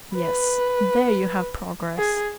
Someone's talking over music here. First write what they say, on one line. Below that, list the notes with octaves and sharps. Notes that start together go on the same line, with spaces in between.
Yes, there you have progress.
B4
G#4